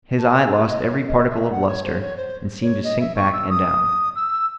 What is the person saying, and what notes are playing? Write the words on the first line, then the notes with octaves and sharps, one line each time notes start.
His eye lost every particle of lustre and seemed to sink back and down.
A5
G#5
D#5
C#5
D#5
E5
F#5
C#5
C5
C#5
C5
C#5
D#5
E5
C#6
E6
D#6
E6